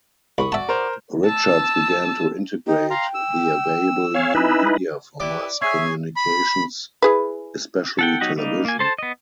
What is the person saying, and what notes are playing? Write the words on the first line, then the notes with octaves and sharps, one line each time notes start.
Richards began to integrate the available new media for mass communications, especially television.
C2 B5 C#6 D#6
F#4 D5 E5 A5
A#4 C5
A5 E6
D#4 G5
F5 A#5 C6
E6
C#5 F5 G#5
D#4 E4 B4
E4 G4 B4 D5
G#4 C#5 E5 G#5 C#6 G#6 C7
B5
E4 G#4 B4
A4 F#5 G5
F#3 D#4 F#4 G4
G3 A#3 D#4
A#3 G#5
A4 C5 A5
B3 D#5